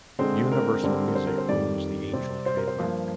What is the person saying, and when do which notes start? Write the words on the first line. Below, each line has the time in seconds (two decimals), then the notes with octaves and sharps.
Universal Music owns the Angel trademark.
0.19 D3 G#3 C4 C5
0.52 A#4
0.84 D3 G3 C4
1.08 A#4
1.15 C5
1.26 A#4
1.38 C5
1.48 F2 D#3 G3 D5
2.13 C3 G3 C4
2.46 C5
2.57 A#4
2.68 C5
2.79 G2 F3 A#3